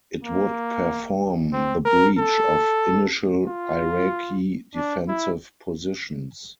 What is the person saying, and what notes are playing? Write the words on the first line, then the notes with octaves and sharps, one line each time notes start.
It would perform the breach of initial Iraqi defensive positions.
A#3
C4
A#4
A4
F4
D4
E4